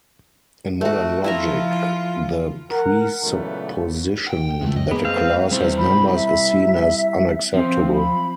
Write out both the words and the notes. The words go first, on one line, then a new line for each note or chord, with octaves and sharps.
In modern logic, the presupposition that a class has members is seen as unacceptable.
A3 F#4
F3 E4 F4 E5 A#5
A#4 F#5
C#2 A#2 E3 F#3 A3 B3
F#5 G5
E2 G#3 A3
F#2 D#5
G#3 A#3 B3
C4 B4 F5
G3 C4 E4 C5
B5
E5
F3 C4
B5